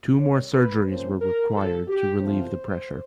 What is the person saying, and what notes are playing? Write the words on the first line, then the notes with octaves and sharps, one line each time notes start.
Two more surgeries were required to relieve the pressure.
G#2 D#3 G3 C4 C#5
B4
C3 F3 A#3 C#4 C5
A#4
F2 C3 F3 A4
G4
E2 C3 F3 A3 C4 C5